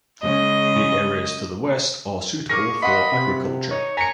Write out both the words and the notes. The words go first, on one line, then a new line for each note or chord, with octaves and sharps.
The areas to the west are suitable for agriculture.
C#3 G#3 D#5
G#4 C#6 D6 F6 A#6
D#5 F5 F#5 B5 C6
C3
D#4 C#5
G#5 A#5 B6 C#7